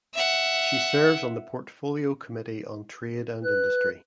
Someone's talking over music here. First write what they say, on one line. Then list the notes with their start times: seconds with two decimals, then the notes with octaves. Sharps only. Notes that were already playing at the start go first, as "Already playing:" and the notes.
She serves on the Portfolio Committee on Trade and Industry.
0.14 E5 F#5
3.44 B4 F#6